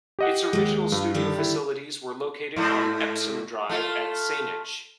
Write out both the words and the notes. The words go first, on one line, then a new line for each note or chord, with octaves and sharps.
Its original studio facilities were located on Epsom Drive in Saanich.
G4 D#5 F#5
D#2 G#3
G2 F4
D3 D#3 G3
E4
G#2 A3 E4
A3 F4